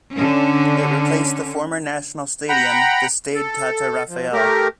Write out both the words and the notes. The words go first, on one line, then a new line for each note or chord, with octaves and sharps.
It replaced the former National Stadium, the Stade Tata Raphael.
D3 C#4
F#5 G5 A#5 B5
A4
F3
A3 G4 A#4